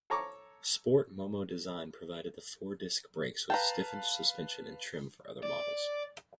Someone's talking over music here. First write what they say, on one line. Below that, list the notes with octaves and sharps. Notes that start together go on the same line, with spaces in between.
Sport MomoDesign provided the four-disc brakes with stiffened suspension and trim for other models.
A4 C#5 A#5 C#6 D6
B4 F5 G5 A5 A#5
D5